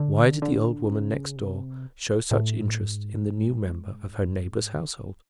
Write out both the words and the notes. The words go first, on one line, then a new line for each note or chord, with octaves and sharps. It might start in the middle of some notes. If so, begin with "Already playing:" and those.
Why did the old woman next door show such interest in the new member of her neighbor's household?
Already playing: D3
D3
C#3
C3
A2
G#2